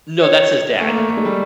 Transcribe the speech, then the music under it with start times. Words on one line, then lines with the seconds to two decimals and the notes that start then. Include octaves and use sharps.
No, that's his dad.
0.21 C#5
0.80 A3
0.88 A#3
0.97 A3
1.09 A3
1.17 G#3
1.25 G3